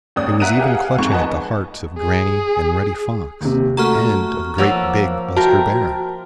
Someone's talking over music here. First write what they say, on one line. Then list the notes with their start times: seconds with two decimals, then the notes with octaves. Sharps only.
It was even clutching at the hearts of Granny and Reddy Fox and of great, big Buster Bear.
0.16 D#2 G#2 C#4 D5 D#6
0.40 E5 F#5 A#5 F#6 D7 D#7
0.59 G4 G#4 F5 F#5
0.98 F2 G#2 C#6
1.12 B4 D#5 F#5 G#5 A5
1.98 G#4
3.41 D#2 C3
3.77 A3 F#4 A#5 C#6 F6
4.58 F3 A#3 C#5 F#5 E6
5.37 F#4 A#4 G5 A5